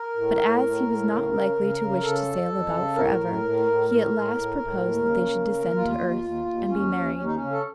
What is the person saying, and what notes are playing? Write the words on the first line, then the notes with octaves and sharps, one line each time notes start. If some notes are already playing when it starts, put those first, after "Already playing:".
But as he was not likely to wish to sail about for ever, he at last proposed that they should descend to earth, and be married.
Already playing: A#4
A2
A2
A2
A2
C#3
C#3
C#3
C#3
C#3 A4
F2
F2
C#3
A2 A#4
A2
A2
A2
A2 A#4
A2
A2
A2
D#2
C#3
D#2
D#2
D#2 F4
D#2
D#2
D#2
D#2 C#4
D#2
D#2 C#4
D#4
C#4
C#3
A4